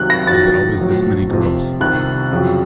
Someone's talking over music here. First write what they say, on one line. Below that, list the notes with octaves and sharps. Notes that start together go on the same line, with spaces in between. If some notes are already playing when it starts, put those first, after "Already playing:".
Is it always this many girls?
Already playing: C2 C3 D#3 F#3 F#6
A#6
F2 D#3 F#3 A6
A#1 A2 F#3
F2 C3 F3
C2 C3 D#3 F#6
F2 C#3 F#3